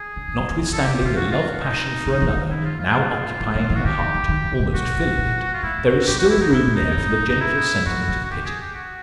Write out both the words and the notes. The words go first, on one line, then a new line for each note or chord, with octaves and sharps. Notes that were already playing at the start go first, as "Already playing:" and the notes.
Notwithstanding the love passion for another now occupying her heart--almost filling it--there is still room there for the gentler sentiment of pity.
Already playing: G#4
C#3
D#3
E3
D#3
E3
D#3 A4
G4
D3
G4
D3 F4
F#4
F4
D#4
D#3
E3
D#3
E4
F4
F4
E3
D#3
E3
F#4
D#3 G4
D#3
D#3
D#3
C#3
C3
B2 F#4
B2
D#3
A#2
A#2
F4
A2 E4
G#2
F#4
G2
F#2 G4
E2 F#4
E4
F2
D#4
A2 E4
A2
D#4
G#2
G2
G#2
A2
G#2 D#4
E4
G2 F#4
G#2
A2
C#3
F#4
G4
G#4
G4
F#4